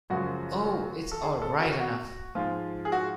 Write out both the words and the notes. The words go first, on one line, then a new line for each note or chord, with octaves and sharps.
Oh, it's all right enough!
F#2 C#3 F3 G#3 F#4
A4
G#4
A4
F#4
F#4
G#2 F3 G#3 F4
G#4
F#4